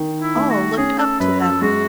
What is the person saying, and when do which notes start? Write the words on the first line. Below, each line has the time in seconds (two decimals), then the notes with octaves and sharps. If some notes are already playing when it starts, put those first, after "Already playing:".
All looked up to them.
Already playing: D#3
0.21 E4
0.35 A3
0.50 F#4
0.77 C#4 G#4
0.98 A4
1.20 F#2 B4
1.40 A4
1.62 G#3 F#4